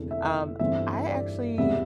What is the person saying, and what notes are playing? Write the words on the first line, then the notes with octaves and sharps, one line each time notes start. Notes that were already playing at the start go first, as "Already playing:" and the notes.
um, I actually
Already playing: F1 E2 D3 A3 E4
E5
G1 G2 E3 A3 C4 E5
D5
E1 E2 C3 G3 B3 E5